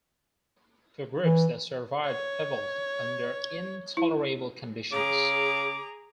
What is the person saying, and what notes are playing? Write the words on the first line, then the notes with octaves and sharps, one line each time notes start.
The groups that survived evolved under intolerable conditions.
E3
C#5
E4
C#3 G#4 A#5 D6